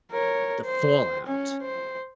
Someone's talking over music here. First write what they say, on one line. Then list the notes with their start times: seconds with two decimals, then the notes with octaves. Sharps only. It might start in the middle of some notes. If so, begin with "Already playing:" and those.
the fallout.
0.11 A#4 C#5
0.65 C5
1.26 C#4
1.61 C5